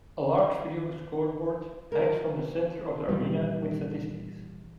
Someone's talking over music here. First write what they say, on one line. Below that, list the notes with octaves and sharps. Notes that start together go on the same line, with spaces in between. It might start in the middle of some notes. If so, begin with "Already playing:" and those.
A large video scoreboard hangs from the center of the arena with statistics.
A#4
A#2 E3 G3